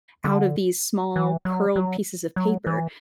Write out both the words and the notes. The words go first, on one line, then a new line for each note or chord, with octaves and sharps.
out of these small, curled pieces of paper.
D3
E3
F#3
F#3
F#3
E3